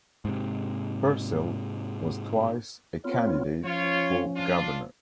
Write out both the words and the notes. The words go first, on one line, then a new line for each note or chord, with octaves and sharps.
Purcell was twice a candidate for governor.
G#2 C3
B3 C4 F4 C#5
F3 C#4 F4 C#5
D4 F4